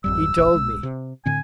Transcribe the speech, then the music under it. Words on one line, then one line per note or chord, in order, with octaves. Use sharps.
He told me.
G#1 F2 G3 E6
F1 A#1
B1 G#3
C3
A2 D3 C4 G#5